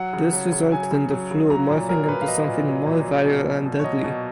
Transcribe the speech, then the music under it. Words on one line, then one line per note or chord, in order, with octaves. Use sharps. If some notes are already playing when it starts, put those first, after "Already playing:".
This resulted in the flu morphing into something more viral and deadly.
Already playing: F#3 F#5
C#3
F#3
C#3
F#3 G#5
C#3
F#3
C#3
F#3 A#5
A#2
F#3 A#4
A#2 B4
F5
F#3 D#5
A#2
F#3
A#2
F#3
B2
F#3
B2
C#5
F#3 D#5
B2